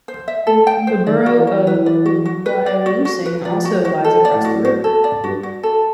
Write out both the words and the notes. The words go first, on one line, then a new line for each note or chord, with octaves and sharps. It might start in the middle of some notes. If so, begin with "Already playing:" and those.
The borough of Wyalusing also lies across the river.
C5
E5
A3 A4
G5
A3
C5
D#3 D5
F#4
E3
F#4
E3 B4
D5
F#4
F#4
B4
D5
F#4
F#4
B4
F3 D5
F#4
F#4
A4
D5
A2
F#4
F#4
A4
D5
G2 F#4
F#4
A4